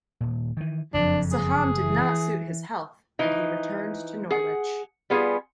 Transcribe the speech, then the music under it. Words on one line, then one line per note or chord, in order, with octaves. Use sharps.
Saham did not suit his health, and he returned to Norwich.
D#1 A#2
D#3 E3
F#1 F2 D4
G#4
E3
E3 F3 D#4
G#4 F#5
G3 B3 F4 G#4